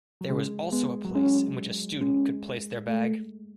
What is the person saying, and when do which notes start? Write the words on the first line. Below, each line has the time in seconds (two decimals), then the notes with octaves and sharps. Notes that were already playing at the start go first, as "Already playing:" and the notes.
There was also a place in which a student could place their bag.
0.21 F#3
0.29 C#3 G#3
0.72 G#3 B3
1.05 F#3
1.15 G#3 C#4
2.01 G#3 C#4
2.87 A3